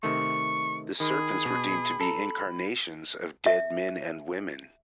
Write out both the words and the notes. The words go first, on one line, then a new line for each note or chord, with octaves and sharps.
The serpents were deemed to be incarnations of dead men and women.
C3 D#3 A3 C#6
D#3 G#4 B5
B2
A4 A#5
E5